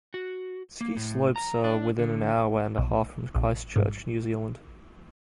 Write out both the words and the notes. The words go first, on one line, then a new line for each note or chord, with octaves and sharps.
The ski slopes are within an hour and a half from Christchurch New Zealand.
F#4
A#3
A2
A#5
D4
D3
B1
A#1
G#2